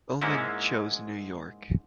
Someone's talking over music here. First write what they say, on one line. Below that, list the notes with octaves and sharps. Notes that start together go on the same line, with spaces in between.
Ullman chose New York.
G#2 G#3 A#3 C4 C#4 E4